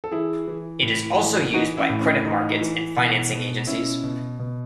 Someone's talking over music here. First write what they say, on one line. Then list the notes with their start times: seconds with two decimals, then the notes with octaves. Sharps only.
It is also used by credit markets and financing agencies.
0.04 A4
0.11 E3 E4 G#4
0.48 E3
0.83 A2
1.18 E3
1.53 E3 D#4 F#4
1.77 C#4 E4
1.90 A2
2.01 C#4
2.25 E3 D#4
2.61 E3
2.97 B2
3.33 B2
3.67 B2 C#4 E4
4.03 B2
4.39 B2